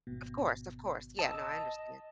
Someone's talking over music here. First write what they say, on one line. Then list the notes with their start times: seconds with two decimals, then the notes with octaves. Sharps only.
Of course, of course, yeah, no, I understood.
0.07 G#1 B2
1.19 D#5 A5 D#6 E6